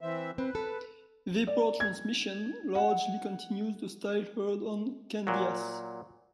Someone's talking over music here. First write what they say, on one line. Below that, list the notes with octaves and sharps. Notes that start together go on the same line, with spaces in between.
"Vapor Transmission" largely continues the style heard on "Candyass".
E3 C4 E5
C4 B4
A4
D5
G#6
F#5
A#2 F#3